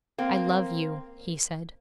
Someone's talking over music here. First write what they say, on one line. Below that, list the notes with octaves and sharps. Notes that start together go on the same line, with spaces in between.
'I love you,' he said.
A#3 C4